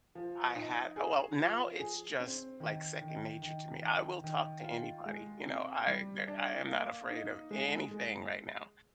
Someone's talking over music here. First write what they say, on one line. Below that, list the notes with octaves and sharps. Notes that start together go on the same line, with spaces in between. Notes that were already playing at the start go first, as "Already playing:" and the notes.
I had well, now it's just, like, second nature to me, I will talk to anybody, you know, I der I am not afraid of anything right now.
F3
D#4
G#4
F3
G#4
C4
D#3
D#3
D#3
D#3
D#3
F4
G#3
C3
G3
D4
A#3
D#4
G#3
G#3